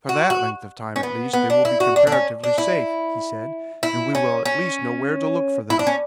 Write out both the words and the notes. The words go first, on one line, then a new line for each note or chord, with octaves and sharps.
"For that length of time at least they will be comparatively safe," he said, "and we will at least know where to look for them."
F#4
F#4
C#4
B3
B3
D4
E4
F#4
D4
D4
C#4
D4
E4
E4
C#4
C#4
E4
D4
C#4